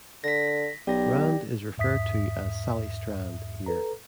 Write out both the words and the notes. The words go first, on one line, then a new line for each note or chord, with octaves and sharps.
Rand is referred to as "Sally Strand" here.
D3 A#6 B6
B1 G4 D5 A#6
E2 G#2 E5 D#6 B6
A4 B4 A#5